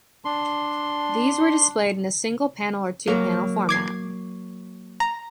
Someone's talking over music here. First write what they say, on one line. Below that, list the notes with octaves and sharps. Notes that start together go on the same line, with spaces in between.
These were displayed in a single-panel or two-panel format.
D4 C6
F#3 A#3
D6 G#6 C7
A#5